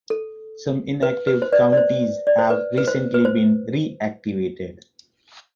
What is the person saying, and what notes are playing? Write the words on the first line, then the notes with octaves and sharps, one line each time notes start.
Some inactive counties have recently been reactivated.
A4
B4
B4
C5
B4 D5
D5
C5
D5
C5
B4
B4
C5
B4
C5